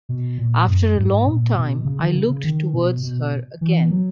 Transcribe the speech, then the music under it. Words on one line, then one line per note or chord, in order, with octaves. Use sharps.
After a long time, I looked towards her again.
B2
A#2
F#2
G#2
A#2
B2
B2
C#3
D#3
C#3
C#3
D#3
B2
B2
E3
F#3